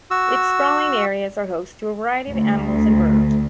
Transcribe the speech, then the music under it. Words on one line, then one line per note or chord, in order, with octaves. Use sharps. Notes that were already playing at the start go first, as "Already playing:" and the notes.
Its sprawling areas are host to a variety of animals and birds.
F#4 E6
D2